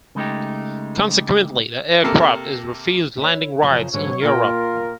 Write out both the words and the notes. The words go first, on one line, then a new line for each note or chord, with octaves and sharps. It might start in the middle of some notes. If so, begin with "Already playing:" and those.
Consequently, the aircraft is refused landing rights in Europe.
C#3 G#3 A3 D#4 G4
C3 A#3 A4
E4 C#5 E5
F#2 C#3 F3
G#2 D3 E3 F#3 C#5
A#2 A#3 F4 A#4 G5